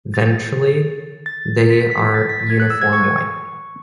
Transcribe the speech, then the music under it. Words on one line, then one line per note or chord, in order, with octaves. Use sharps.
Ventrally they are uniform white.
A6
A6
B6
B6
A6
B6
A6
G#6
F#6
E6
G#6
C#6